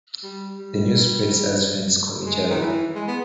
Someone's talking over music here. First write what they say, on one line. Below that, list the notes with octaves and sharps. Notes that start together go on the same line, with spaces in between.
The news spreads as friends call each other.
G3
G3
G#3
D#3
E3
G#3
B3